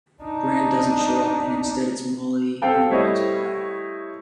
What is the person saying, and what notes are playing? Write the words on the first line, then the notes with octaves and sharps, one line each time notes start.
Brand doesn't show up, and instead it's Molly who walks by.
D4 D#4
C4 A4 F5 G5 A5
G3 A3 E4 C5 C#5 D#5